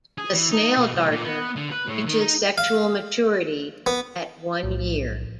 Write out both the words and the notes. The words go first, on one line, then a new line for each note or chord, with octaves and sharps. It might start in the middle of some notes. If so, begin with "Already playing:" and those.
The snail darter reaches sexual maturity at one year.
G#4
E3
D#4
B2
C2
A#2
B3
D3
B4
A2
D#3
D#4
F5
B3
B1 A2 F3